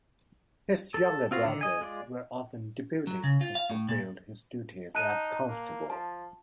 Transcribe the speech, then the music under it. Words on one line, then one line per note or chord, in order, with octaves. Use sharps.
His younger brothers were often deputed to fulfill his duties as Constable.
A4 A5
C4 F4 F#4 C5
D3 D#3
D#5 G#5
G#3 F4 D5
F#3
C#3
F4
F5
A2
A#2
D#4 A5 F#6 D#7
A#3
F3 A5